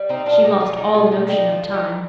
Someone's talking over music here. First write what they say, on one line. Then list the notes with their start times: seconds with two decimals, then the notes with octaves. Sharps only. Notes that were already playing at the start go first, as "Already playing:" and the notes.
She lost all notion of time.
Already playing: G3
0.09 C4 D#4
0.26 B2 D4 F4
0.44 D#4 G4
0.60 G3 F4 G#4
0.77 D#4 G4
0.94 B2 F4 G#4
1.06 F4
1.11 D#4 G4
1.28 G3 D#4 G4
1.51 D4 F4
1.62 D3
1.73 D#4 G4